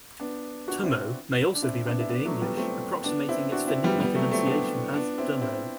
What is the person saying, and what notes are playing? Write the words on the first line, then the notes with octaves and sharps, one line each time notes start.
"Tummo" may also be rendered in English approximating its phonemic enunciation as 'Dumo'.
B3 D4
D4 F#4
C4 E4
D4
C4 E4
B3 D4
E4
B3 D4
F#3 A3
G3 B3
A3 C4
B3 D4
C4 E4
D4 F#4
C4 E4
G3 B3
G3 B3
F#3 A3
A3 C4
B3 D4
B3 D4
C4 E4
C4 E4